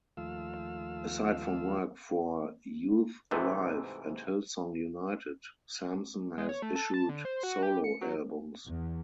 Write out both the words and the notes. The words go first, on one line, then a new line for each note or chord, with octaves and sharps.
Aside from work for Youth Alive and Hillsong United, Sampson has issued solo albums.
D#2 F3 A3 F4 F5 E6
G#2 C3 E3 A3
G#3
C#5
A3
A4
A5
D3
C5
F#4
G4
C#7
F#3
E2